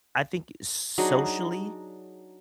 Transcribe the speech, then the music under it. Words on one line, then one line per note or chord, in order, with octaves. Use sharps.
I think socially,
F#3 D4 D#4 G#4